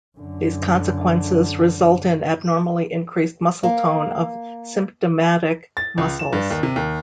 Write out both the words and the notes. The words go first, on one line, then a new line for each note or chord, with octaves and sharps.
These consequences result in abnormally increased muscle tone of symptomatic muscles.
F#2 D3
A#3
A6
C#2
E7
G2
D#2
C3
D#2